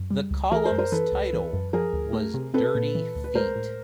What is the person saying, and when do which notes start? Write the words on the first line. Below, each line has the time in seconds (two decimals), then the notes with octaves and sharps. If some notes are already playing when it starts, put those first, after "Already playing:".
The column's title was Dirty Feet.
Already playing: F#2
0.11 G3
0.31 C#2
0.51 E3 G#4 A#4
0.65 A#4 C5
0.71 F#2
0.78 A#4 C5
0.92 E3 A4 B4
1.12 C#2
1.33 E3
1.53 F#2
1.73 F3 G#4 A#4
1.93 D2
2.13 A3
2.34 C3
2.54 C4 A4 B4
2.75 A#2
2.95 E3
3.15 D2
3.24 B4
3.35 G#3 A#4 C5
3.56 A2